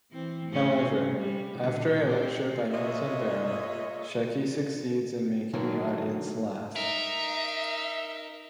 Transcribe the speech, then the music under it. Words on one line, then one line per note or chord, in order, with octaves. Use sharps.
However, after a lecture by Milton Berle, Shecky succeeds in making the audience laugh.
E3 C4
A2 C4 C#4
C#3
G3
A#2 D3
C4 G4
A#2 G#3 C#5 D#5 E5
D3 D#3 F#3 A#3
D#4 A#4 E5